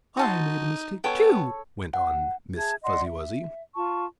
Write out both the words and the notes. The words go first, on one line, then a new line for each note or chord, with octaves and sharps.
"I made a mistake, too," went on Miss Fuzzy-Wuzzy.
D#4 F#4 A5 C6
B3 A4 C#5 G5 G#5
F#5
G#4 E5 A5 G#6
D5 D#5 F#5 C6
E5
F4 A5 C#6